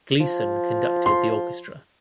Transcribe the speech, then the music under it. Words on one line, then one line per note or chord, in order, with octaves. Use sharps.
Gleason conducted the orchestra.
F3
C6